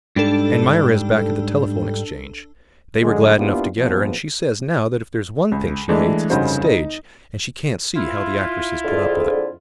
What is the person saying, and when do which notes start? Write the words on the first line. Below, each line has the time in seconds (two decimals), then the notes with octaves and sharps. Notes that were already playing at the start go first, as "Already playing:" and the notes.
And Myra is back at the Telephone Exchange--they were glad enough to get her, and she says now that if there's one thing she hates, it's the stage, and she can't see how the actresses put up with it.
0.16 G#2 G3 D4 A4
3.02 D3 F#3 G#3
3.35 A#3 B3 D4 E4 F4 G4
3.77 A#1 A#2 F3 B3
5.52 C#2
5.89 E3 G#3 A3 D4
6.30 F1 G2 C#3 D#4 F#4 C5
6.64 D#4
7.95 E4 F4
8.84 F2 D3 G#4